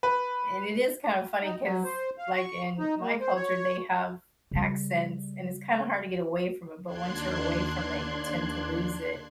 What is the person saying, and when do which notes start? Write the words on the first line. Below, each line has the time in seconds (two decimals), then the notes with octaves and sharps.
and it is kind of funny, 'cause, like, in my culture, they have accents, and it's kinda hard to get away from it, but once you're away from it, you tend to lose it.
0.03 B4
1.43 D#4
1.63 F#3
1.84 C5
2.18 F5
2.36 C#6
2.79 D#4
3.01 A#3
3.20 C5
3.35 C#5
4.51 C#3 G3
6.86 D#2 D4 C6 F#6 G#6